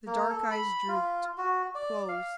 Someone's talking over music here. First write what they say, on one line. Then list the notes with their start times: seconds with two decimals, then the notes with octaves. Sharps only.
The dark eyes drooped--closed.
0.07 A#3
0.30 A4
0.51 B5
0.88 F4
1.38 F#4
1.75 D5
2.09 F5